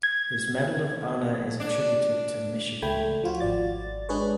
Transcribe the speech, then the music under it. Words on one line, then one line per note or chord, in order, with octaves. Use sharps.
His Medal of Honor is attributed to Michigan.
G#6
D4
C#2 A3 G5 B5 G#6
F3 F4 F#4
G#1 D5 A6
G#3 D4 G#4 B4 C#5